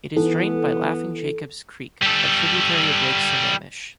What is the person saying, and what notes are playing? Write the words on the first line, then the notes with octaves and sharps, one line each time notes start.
It is drained by Laughing Jacobs Creek, a tributary of Lake Sammamish.
E3 B3 A4
G3 A4